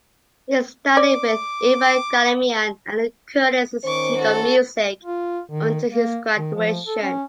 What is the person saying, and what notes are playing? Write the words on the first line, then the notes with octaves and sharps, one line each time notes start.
He studied with Ivan Galamian at the Curtis Institute of Music until his graduation.
D5 D6
D#3 C#4 C5 C#6 D6
F#4 A4
F4
D#3
A#3
D#3
F3
A4
C#4